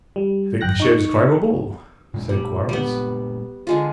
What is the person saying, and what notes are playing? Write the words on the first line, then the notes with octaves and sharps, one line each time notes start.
"I think the shed is climbable," said Quarles.
G3
G#1 F#2 G5 F#6 A#6
D#4 C#6
A#2 G#3 C#4
G3
G3 B3
D3 G#3 F4